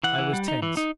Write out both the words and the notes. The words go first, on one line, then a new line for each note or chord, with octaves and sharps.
I was tense.
E3 F#5
E3
G3
D#4
E3
D#4